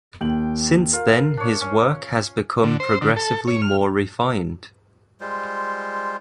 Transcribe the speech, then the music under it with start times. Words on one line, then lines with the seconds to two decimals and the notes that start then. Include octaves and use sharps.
Since then his work has become progressively more refined.
0.21 D#2 G5 F#7
0.93 F4 A#4
1.37 D4 C#5
1.61 C#4
2.64 D3
2.80 C5
3.02 D3
3.16 A4
3.47 C#5
3.62 F6
5.21 G3 G#3 F4 C5